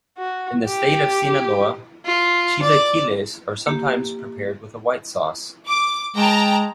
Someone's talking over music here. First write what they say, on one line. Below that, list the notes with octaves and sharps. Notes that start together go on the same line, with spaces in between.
In the state of Sinaloa, chilaquiles are sometimes prepared with a white sauce.
F#4
G4
F4
D5
A#3 G4
D6
G#3 G5 A5 A#5